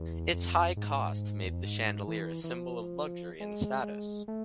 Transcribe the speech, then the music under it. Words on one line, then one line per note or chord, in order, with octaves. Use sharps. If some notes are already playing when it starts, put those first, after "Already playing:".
Its high cost made the chandelier a symbol of luxury and status.
Already playing: E2
F2
G#2
E2
F2
G#2
E3
E3
F3
G#3
G#3
A3